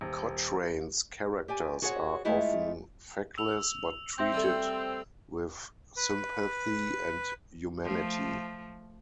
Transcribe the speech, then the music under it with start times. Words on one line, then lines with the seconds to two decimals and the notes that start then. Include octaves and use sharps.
Cochrane's characters are often feckless, but treated with sympathy and humanity.
0.01 D#1
1.48 G4 D5 G#5
1.82 F#4 G#4 C5 C#5 E5 F#5
2.25 G#3 A3 E4 F4 G#4
3.38 E6 F7
4.18 C4 E5 C6 G6
4.34 G3 A3
5.97 B4
7.84 F3 A3